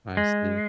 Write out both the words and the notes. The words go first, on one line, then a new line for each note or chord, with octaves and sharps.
I see.
G#3